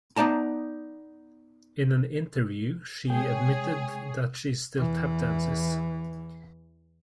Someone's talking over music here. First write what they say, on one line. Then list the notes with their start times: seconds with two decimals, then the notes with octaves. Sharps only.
In an interview, she admitted that she still tap dances.
0.16 B3 D#4 D5 A5 A#5
3.10 C3 G#3 G#4 C#5 G5
4.78 E2 E3